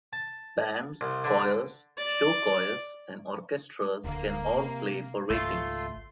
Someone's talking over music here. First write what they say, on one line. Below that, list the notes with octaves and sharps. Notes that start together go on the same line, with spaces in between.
Bands, choirs, show choirs, and orchestras can all play for ratings.
A5
C2
D3
D5
D1 D3 A#3
C3
G#1 C#2 G#2 A3 F4 C6